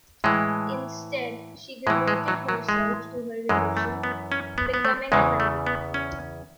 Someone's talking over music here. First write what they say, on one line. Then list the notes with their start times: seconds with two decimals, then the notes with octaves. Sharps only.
Instead, she devoted herself to her religion, becoming a nun.
0.24 A2 E3 G#3
1.87 A2 G#3
1.90 E3
2.08 G#3
2.28 F#3
2.49 F#3
2.69 G#3
3.49 F#2 E3 G#3
3.77 A3
4.03 B3
4.32 C#4
4.58 B3
4.74 B3
4.85 A3
5.12 E2 C#3 E3 G#3
5.40 A3
5.67 B3
5.94 C#4